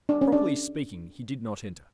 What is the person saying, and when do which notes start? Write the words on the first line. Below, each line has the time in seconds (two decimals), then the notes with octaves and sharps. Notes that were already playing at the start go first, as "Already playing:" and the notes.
Properly speaking, he did not enter.
0.09 D4
0.21 C#4
0.32 D4